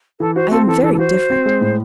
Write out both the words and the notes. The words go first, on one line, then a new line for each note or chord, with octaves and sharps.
I am very different!
E3 A4
F#4 C5
C4 A4
E3 A4
E3 A4
A4
F#4 C5
F#4
C4
G#3
A2